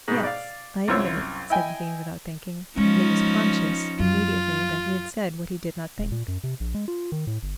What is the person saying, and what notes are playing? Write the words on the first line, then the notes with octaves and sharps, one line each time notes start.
"Yes, I admit it," said Levin without thinking, and he was conscious immediately that he had said what he did not think.
G#2 B2
D5 F5
C2 F#2 F4 C5 C#5 E6
E4 D#5 G5 G#5
F3 G#3 C#4 D#4
F#2 F4
D#1
A#2
F#2
C3
A#1
G#3
F4
D#3
A2
G1